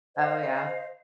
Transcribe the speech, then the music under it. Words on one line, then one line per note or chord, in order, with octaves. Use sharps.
Oh, yeah.
C5 D#5 F5